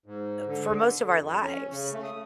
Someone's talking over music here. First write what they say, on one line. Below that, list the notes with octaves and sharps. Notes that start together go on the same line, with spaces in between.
uh, for most of our lives.
G#2
D3
D3
F2
C#4
C#3
A3
D#6